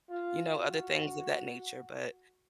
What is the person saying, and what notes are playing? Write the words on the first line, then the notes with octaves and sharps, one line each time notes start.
you know, other things of that nature, but
F4
F#4